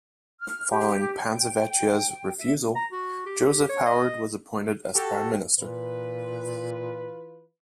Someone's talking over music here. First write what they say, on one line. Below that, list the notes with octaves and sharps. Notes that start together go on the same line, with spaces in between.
Following Panzavecchia's refusal Joseph Howard was appointed as Prime Minister.
F6
G4
G5
E5
A#5
F#4
G4
C#5
D#5
F#4 G4 A4
A#2 E3 F4 B4